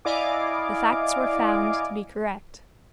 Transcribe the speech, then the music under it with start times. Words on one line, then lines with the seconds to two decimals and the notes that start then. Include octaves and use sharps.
The facts were found to be correct.
0.05 E4 D5 D#5 F5 G#5 D6